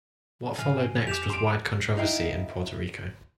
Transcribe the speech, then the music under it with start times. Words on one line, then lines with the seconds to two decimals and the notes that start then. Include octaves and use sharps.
What followed next was wide controversy in Puerto Rico.
0.59 G#2 F5 G#5
1.07 F2 G4 D6 E7 F7
1.30 C6 D7
1.97 D#4 E4 F5 G5